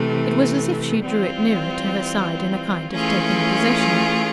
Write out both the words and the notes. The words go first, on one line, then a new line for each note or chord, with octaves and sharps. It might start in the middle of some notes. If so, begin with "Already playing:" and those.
It was as if she drew it nearer to her side in a kind of taking possession.
Already playing: C3 E3 A3
E3 G3 C4 F4
E3 A3 C#4 F4 G#4